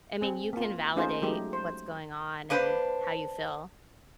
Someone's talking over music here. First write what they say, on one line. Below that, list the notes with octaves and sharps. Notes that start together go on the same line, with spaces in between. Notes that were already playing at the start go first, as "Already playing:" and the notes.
I mean, you can validate what's going on and how you feel.
C4 G#4
A#3 F4
A3 C#4 D#4 F4 G#4 C5
F#3 G#3 A3 D#4 G4
C5
A#3 D4 B4 C5